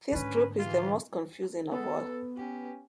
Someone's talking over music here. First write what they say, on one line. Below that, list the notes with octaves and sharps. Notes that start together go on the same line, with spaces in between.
This group is the most confusing of all.
G#2 D3 C#4 B4
E3 F4
B3 A4
C#4 G4